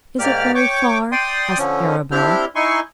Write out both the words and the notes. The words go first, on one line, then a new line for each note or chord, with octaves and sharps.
"Is it very far?" asked Arabella.
G#2 A#3 G4 D5 F6
C#5 G5 C#6 D6
D5 G5 C6 D#6
D3 F3 C#4
C4 D4 E4 G4 F6 G6
D#4 E4 G#5 C6 C#6